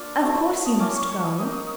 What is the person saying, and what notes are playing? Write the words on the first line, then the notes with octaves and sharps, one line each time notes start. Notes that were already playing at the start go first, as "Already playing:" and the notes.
Of course you must go.
Already playing: A#3 D4 F4 D6
F#3 A3 C4 E4
E6
D#6
A#3 C#4 E4 D6
C#6
C#6
D#6
A#3 D#4 D#6
D#6